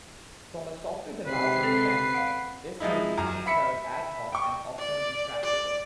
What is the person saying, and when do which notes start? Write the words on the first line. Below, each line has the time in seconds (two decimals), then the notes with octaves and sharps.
From a software development standpoint, this made mixing code ad hoc and often impractical.
1.26 G#2 C3 B4 C7
1.63 C4 A4
2.14 F5 F#5
2.80 F3 G#3 D#4 E4
3.18 F#2 A#5
3.46 E5 B5 B6 C#7
4.32 G5 C#6
4.78 D5
5.43 D5